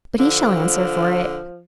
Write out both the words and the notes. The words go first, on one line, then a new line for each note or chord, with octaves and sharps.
'But he shall answer for it.
D3 F3